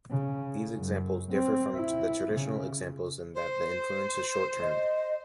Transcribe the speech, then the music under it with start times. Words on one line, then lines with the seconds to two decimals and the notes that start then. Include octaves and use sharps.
These examples differ from the traditional examples in that the influence is short term.
0.10 C#3
0.76 F#2
1.32 C4
1.75 E4
2.33 C#3
3.35 C5
4.62 D#5